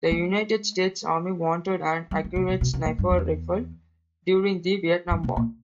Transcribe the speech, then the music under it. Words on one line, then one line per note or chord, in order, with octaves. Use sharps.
The United States Army wanted an accurate sniper rifle during the Vietnam War.
G#3
G3
D#3
C#3
B2
B2
C#3
A#2
G2
E2
G2
B2
A#2